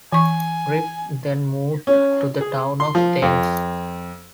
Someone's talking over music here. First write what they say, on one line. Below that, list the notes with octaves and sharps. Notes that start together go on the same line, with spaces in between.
Grigg then moved to the town of Thames.
E3 G#5 C#6
C#4
G#4
C6
F3
F2